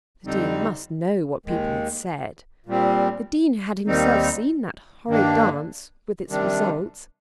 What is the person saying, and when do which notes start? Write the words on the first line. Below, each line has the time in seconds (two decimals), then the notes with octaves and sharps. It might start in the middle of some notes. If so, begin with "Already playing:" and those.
The Dean must know what people had said. The Dean had himself seen that horrid dance, with its results.
0.25 F2 D3 G3 C4 D#4
1.46 D#2 D#3 G#3
2.66 A#2 G3 C4
3.87 D#2 D#3 G3 C4 D#4
5.08 G2 D#3 A#3 D4
6.28 C3 D#3 G3 D4